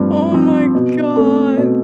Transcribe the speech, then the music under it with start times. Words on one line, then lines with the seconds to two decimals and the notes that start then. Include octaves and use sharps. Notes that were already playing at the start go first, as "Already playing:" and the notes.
Oh, my god.
Already playing: G2 F3 C4
0.32 F3 C4
0.75 B2
1.16 A3 C4
1.57 B2